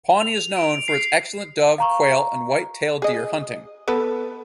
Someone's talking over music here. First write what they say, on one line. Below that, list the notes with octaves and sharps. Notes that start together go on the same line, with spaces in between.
Pawnee is known for its excellent dove, quail, and white tail deer hunting.
F7
D7
C7
F5 A#5 C#6
G#4 D#5
B3 A4 B4